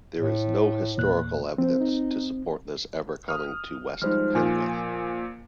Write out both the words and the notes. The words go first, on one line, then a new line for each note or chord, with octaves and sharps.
There is no historical evidence to support his ever coming to West Penwith.
A2
E2 A#2 F#6
F3 C4
D#4
D#6 F6
F3 G3 G#3 D#4 C5 F6
A#2 F3 G#5